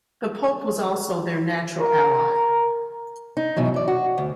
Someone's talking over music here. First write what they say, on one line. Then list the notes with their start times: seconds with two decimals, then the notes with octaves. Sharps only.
The Pope was also their natural ally.
1.81 A#4
3.37 D#4
3.56 G#2 B2 E3 F#3
3.74 F#2 D5
3.88 F#4
4.18 D2